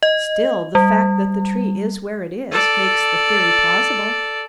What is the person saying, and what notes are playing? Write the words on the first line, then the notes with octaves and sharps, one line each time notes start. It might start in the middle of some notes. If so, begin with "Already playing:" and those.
"Still, the fact that the tree is where it is, makes the theory plausible."
D#5
G3
A4 D5